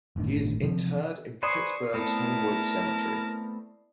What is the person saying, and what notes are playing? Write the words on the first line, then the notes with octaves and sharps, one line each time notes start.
He is interred in Pittsburgh's Homewood Cemetery.
G1 A2 D#3 D4
C3 E3 F3 C4
B4 C5 D5 G#5 C#6 D#6 C7
A3 B3 C4 E4 A#4 A5